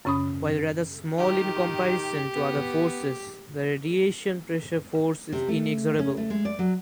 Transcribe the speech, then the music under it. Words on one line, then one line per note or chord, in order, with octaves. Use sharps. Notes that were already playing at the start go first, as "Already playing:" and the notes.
While rather small in comparison to other forces, the radiation pressure force is inexorable.
F#2 C#3 C#4 B5 D#6
D#3 G4
B3
C3
A3
C#4
A3
G#3
D5
F#3